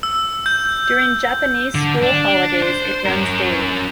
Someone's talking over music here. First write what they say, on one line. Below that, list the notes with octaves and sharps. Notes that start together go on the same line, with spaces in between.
During Japanese school holidays it runs daily.
E6
G6
D3
D4
C5
C#4 A#4